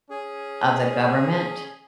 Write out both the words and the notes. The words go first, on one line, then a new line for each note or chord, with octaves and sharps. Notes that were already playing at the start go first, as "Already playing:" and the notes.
of the government
C#4 G#4